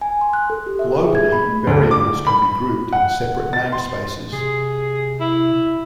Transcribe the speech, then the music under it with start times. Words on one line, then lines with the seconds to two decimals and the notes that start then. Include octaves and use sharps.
Globally, variables can be grouped in separate namespaces.
0.01 G#5
0.21 C6
0.33 F#6
0.50 A4
0.66 G4
0.79 E5
0.96 G#4
1.15 G#6
1.32 B5
1.46 A3
1.67 D2
1.91 D6
2.27 B5
2.92 F#5
3.53 A6
3.72 C6
4.33 C3 G#4
5.20 E4